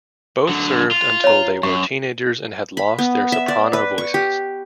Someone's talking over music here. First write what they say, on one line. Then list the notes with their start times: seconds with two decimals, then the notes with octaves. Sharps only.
Both served until they were teenagers and had lost their soprano voices.
0.49 D3 F#3
0.91 F4
1.24 C#5 A#5
1.63 F#2 C#6
2.77 B5
2.99 B3
3.32 E5
3.48 D5
3.73 B4
3.98 C#6
4.14 G4